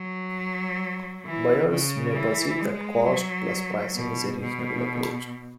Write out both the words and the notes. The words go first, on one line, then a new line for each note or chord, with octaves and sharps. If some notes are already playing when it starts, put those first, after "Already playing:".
Buyers may perceive that cost-plus pricing is a reasonable approach.
Already playing: F#3
E3
C#3
E3
G#3
F#3
B2
B2